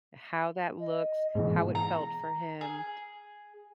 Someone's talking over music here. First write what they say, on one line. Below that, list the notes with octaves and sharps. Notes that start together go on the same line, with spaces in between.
How that looks, how it felt for him,
D#5
G#2 B2 E3 G#4
A#5
G#4